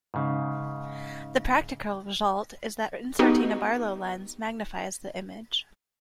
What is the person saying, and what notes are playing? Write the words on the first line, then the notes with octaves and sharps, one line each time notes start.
The practical result is that inserting a Barlow lens magnifies the image.
G#2 C#3
B3 D#4 F#4 G4